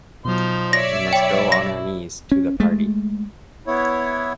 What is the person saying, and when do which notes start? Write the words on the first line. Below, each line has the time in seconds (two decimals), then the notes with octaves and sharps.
We must go on our knees to the party.
0.25 B2 F3 F#3 D#4 C6
0.73 C#5 D5 E5 A#6
1.13 E4 G5
1.52 A#6
2.32 C#4
2.60 G#3 A3
3.67 B3 E4 C#5